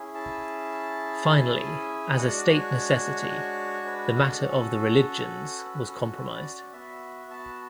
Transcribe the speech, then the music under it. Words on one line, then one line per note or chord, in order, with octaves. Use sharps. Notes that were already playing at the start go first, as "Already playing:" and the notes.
Finally, as a State necessity, the matter of the religions was compromised.
Already playing: C#4 E4 G#4
A5
G#5
G#3 D4 F#4 F#5
D5
C#5
B4
A4
C#4 F#4
B4
A4
B4
D5
D5
B3 F#4 E5
A5